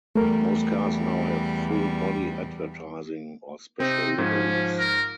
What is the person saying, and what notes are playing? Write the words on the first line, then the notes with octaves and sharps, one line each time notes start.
Most cars now have full body advertising or special liveries.
E2 G3 A3 A#4
C3 C4 D#4
G#2 F3 C#4
A#4